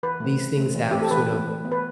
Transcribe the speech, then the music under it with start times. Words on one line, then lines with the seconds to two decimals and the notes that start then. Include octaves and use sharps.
These things have sort of,
0.03 E3 B4
0.20 A3 C4
0.39 E3
0.57 A3 C4
0.74 E3
0.91 A3 C4 G4
1.02 A4
1.11 E3 B4
1.29 A3 C4
1.47 E3
1.65 B3
1.72 B4